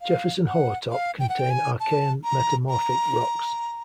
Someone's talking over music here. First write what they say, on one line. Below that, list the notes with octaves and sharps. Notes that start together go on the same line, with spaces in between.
Jefferson-Hollowtop contain Archean metamorphic rocks.
F5
F#5
F5
G5
F#5
G5
G#5
A5
A#5
A#5